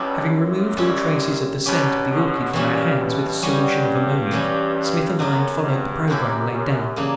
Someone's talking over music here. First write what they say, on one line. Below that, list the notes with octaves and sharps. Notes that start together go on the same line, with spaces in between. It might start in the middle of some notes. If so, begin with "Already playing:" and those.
Having removed all traces of the scent of the orchid from our hands with a solution of ammonia Smith and I had followed the programme laid down.
Already playing: G2 B2 F#3 C#4 E4 G4
F#2 A#2
G3 C#4 E4
G2 B2 F#3 C#4 G4
B2 D3
A#2 C#3 E3 G3 C#4
G2 B2
G2 G3 C#4 F#4
E3 G3 C#4 G4
G2
F#2 C#3 F#3 B3
G2
F#2 F#3 A#3 E4 G4
F#2
C#3 E3 A#3 D4